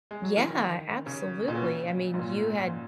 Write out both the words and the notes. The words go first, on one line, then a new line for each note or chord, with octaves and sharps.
Yeah, absolutely, I mean, you had
G#3
F#3
E3
D#3
C#3
A#2
B2
C#3
G#2
A#2